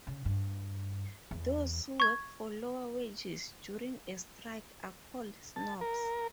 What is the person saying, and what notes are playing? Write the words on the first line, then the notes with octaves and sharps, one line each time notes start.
Those who work for lower wages during a strike are called snobs.
C#3
G2
E2
C#6 G#6
A5
A#4